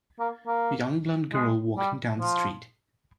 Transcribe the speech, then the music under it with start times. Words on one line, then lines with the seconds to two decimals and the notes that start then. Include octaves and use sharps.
A young blond girl walking down the street.
0.20 A#3
0.47 A#3
1.34 G#3
1.77 G3
2.20 F3